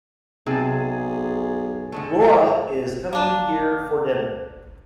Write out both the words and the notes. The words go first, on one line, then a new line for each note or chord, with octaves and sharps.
Lara is coming here for dinner.
B1 C3 G#4 A5
D3 G#3 A3
A#3 D4